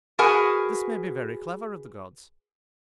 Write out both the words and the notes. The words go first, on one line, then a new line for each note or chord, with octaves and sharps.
This may be very clever of the gods.
F#4 G#4 A#4 B4 F#5 G#5